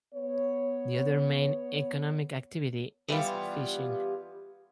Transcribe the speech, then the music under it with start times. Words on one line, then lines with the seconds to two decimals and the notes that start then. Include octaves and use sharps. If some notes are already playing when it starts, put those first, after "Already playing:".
The other main economic activity is fishing.
0.14 B3 C#5
3.09 E3 G3 B3 F4